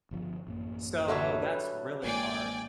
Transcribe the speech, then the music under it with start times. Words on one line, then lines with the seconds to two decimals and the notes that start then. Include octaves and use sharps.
So, oh, that's really hard.
0.11 G1 C#3 F3
0.47 A1 F#2 A#3
1.08 D3 F#3 G3 A4 C#5 E5
1.42 B4
2.04 A1 G#3 A#3 D5 G5 G#5